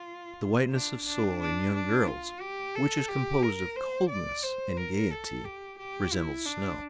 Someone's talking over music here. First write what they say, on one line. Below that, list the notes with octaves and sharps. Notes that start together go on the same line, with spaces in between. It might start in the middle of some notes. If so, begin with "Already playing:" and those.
The whiteness of soul in young girls, which is composed of coldness and gayety, resembles snow.
Already playing: F4
D4
D4
D4
D4
F4
G4
A4
G4
A#4
C5
D5
C5
A#4
A4
G4
G4
E4
D4